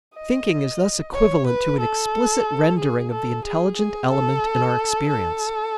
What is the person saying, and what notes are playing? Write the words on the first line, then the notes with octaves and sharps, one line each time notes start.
Thinking is thus equivalent to an explicit rendering of the intelligent element in our experience.
D#5
C#5
B4
A4
G#4
A4
G#4
G#4
A4
A4